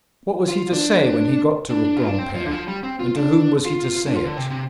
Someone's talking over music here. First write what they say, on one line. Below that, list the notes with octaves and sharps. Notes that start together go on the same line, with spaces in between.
What was he to say when he got to Granpere, and to whom was he to say it?
F4
D4
D4
F4
D4
C4
F3
D3
F3
G3
C4
F4
D4
F4
D4
F4
D3
C3
C3